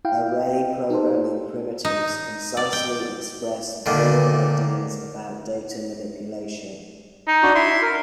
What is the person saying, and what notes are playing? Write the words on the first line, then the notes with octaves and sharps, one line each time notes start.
Array programming primitives concisely express broad ideas about data manipulation.
E4 F5 G5
D#4 G4 A4 C5
D#4
D5
G5
A#2 D3 D#3
D#4
D4 F#4
E4 C6
A#4